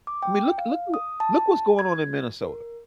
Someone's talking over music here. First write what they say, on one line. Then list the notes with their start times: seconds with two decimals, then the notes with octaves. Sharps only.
I mean, look look who Look what's going on in Minnesota,
0.07 D6
0.22 G5
0.58 F5
0.94 D#6
1.20 A5
1.79 G#6
2.42 A#4